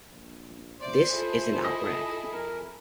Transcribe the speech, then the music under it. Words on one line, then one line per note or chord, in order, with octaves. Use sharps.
This is an outrag.
A#1
B3 C5 D5 E5
E4 F4 G#4 A4
D#5
F2 A#4